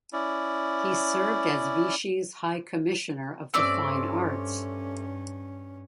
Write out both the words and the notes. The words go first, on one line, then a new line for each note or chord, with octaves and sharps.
He served as Vichy's High Commissioner of the Fine Arts.
C#4 E4 D5
G2 A3 C4 C#4 D5